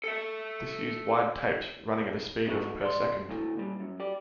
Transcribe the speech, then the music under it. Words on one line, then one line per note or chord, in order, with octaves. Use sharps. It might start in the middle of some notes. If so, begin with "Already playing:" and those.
This used wide tapes running at a speed of per second.
A4 E5
D#3 G#3 A3 B3 F#4
D5 C6
D2 A2
A#2 G3
F#2
G4 D5